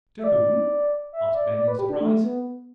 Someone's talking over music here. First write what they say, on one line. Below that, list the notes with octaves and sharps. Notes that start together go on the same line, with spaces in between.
"To whom?" asked Ben, in surprise.
E5
D5
E5
D5
D5
B4
G4
D4
A3
B3